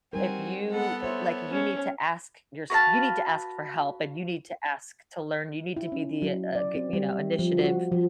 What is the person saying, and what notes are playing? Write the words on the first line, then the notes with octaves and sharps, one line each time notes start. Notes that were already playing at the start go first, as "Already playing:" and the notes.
if you like, you need to ask yours you need to ask for help, and you need to ask to learn. You need to be the uh, you know, initiative,
G3 C4 D#4 F#4 A#4 G#5
B3 A4 F#5
C5 C#5 E5
C#4
F#4 B4 F5 A5
E4
C#4
F#3
D5
C4
G3
E5
F3
F#4
F3